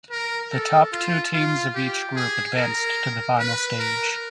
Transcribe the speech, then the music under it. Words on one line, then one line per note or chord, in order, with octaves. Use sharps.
The top two teams of each group advanced to the final stage.
A#4
A4
F4
F4
G4
G#4
A#4
B4
A#4